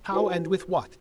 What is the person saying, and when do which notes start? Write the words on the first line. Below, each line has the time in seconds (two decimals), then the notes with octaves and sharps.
How, and with what?
0.11 E4 F#4 G4 B4 C5 G#5